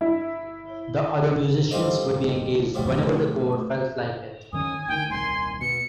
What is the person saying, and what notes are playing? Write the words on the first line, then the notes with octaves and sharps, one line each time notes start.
The other musicians would be engaged whenever the core felt like it.
E4
G3 C4 F4 A4 C5 D#5
B1 A2 F3 G3
F#2 D#3 C#4 G#5 D#6
D2 D#3 G5
D#1 C2 D#3 C6
B2 C#7